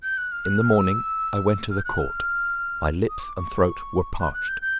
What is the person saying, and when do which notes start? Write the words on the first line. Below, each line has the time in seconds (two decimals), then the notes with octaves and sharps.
In the morning I went to the court; my lips and throat were parched.
0.03 G6
0.18 F#6
0.32 F6
0.45 F#6
0.59 F6
0.73 E6
1.71 F6
1.78 G6
1.85 F#6
1.99 F6
3.09 D#6
3.19 C#6
3.23 D6
3.36 C#6
4.20 F#6
4.34 F#6
4.48 G6
4.62 G6